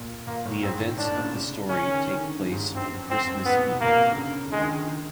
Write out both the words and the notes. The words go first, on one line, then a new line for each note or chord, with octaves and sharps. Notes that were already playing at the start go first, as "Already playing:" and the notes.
The events of the story take place on Christmas Eve.
Already playing: A#2
A#2 A#3
A2
G#2 C4
A2
A2 D4
A#2
C#3
C3
C#3
C#3 C#4
D#3
D#3
D3
C#3
G2
G#2
G2
F#2 C4
F2
F2 C4
F#2
G#2 B3
B2
C3
A#2 A#3
B2
D3
C#3
D3
D#3 G#3
D#3
D#3